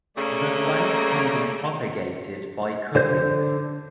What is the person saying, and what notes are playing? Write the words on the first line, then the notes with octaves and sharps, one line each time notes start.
The plant can be propagated by cuttings.
C#3 G3 A3 A#3
D3 C5 G6